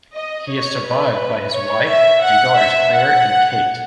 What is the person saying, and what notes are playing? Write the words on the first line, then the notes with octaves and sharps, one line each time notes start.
He is survived by his wife, and daughters Clare and Kate.
D#5
C#5
B4
C#5
E5
F#5
E5
F#5